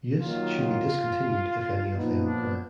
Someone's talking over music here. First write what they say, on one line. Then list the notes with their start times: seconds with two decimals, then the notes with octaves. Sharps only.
Use should be discontinued if any of them occur.
0.20 D#3 F#3 A#3 F4
1.95 A#2 F3 B3 D#4
2.25 D4